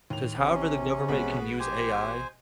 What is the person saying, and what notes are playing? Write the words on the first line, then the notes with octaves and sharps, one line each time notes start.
'Cause however the government can use AI,
D#2 A2 F7
A1 C3 C#4
A1 B2 G#3 B3 B5
G4 C5 G#5